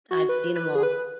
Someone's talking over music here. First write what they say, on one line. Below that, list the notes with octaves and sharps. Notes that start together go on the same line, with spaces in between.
I've seen 'em all
F#4
B4
B4
G#4
B4